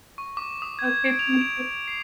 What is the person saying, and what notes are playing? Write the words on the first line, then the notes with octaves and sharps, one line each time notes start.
Okay, thank you."
C#6
D6
D#6
G#6
D7
F7
D7
C7